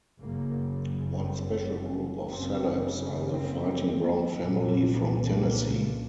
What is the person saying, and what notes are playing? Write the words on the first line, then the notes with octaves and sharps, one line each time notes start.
One special group of celebs are the "fighting Brown family from Tennessee".
F#1 F#2 C#3 A#3
C4
F#1 F#2 C#3 C4
C4
C2 A#2
A#3